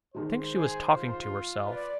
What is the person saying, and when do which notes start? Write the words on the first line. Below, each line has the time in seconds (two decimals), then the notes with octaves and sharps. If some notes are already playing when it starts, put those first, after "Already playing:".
I think she was talking to herself.
0.15 D#3 G#3 C5
0.56 G#4
0.90 F4
1.66 B4 D5